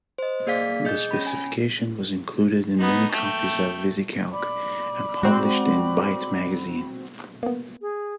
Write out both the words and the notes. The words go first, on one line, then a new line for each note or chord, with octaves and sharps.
The specification was included in many copies of VisiCalc, and published in Byte Magazine.
C5 D#5
A#3 G#4 D5 F5 B6
G#4 D#5 G6
C#4 B5
G#5
B3 D#4
A3 G5
D5 B5
G#3 C4 F#4
A#3 B3
G#4